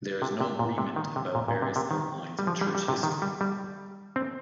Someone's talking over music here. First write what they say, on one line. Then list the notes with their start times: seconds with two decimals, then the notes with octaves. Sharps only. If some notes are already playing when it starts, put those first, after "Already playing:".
There is no agreement about various outlines of church history.
0.22 C3
0.41 C3
0.59 A#2
0.78 C3
0.96 D#3
1.16 C3
1.35 A#2
1.48 A#2
1.62 C3
1.76 C3
1.91 D#3
2.39 G3
2.47 F3
2.61 G3
2.75 G3
2.88 C3
3.03 D#3
3.22 G3
3.41 G3
4.16 C4